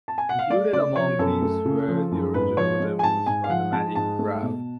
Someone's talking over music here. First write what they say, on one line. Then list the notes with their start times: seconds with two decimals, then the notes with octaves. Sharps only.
Included among these were the original demos for The Madding Crowd.
0.08 A5
0.18 G#5
0.29 F#5
0.39 F5
0.50 A3 D5
0.73 C#3 D5
0.96 F3 C#5
1.19 F#2 A4
1.42 A3
1.65 C#3
1.88 F3
2.11 F#2
2.34 G#2 B4
2.57 F3 C#5
2.80 G#3
2.99 G#5
3.03 G#2 A5
3.26 G#2 G#5
3.44 F5
3.50 F3 F#5
3.72 G#3 A5
3.95 G#2 A5
4.19 A3
4.42 B2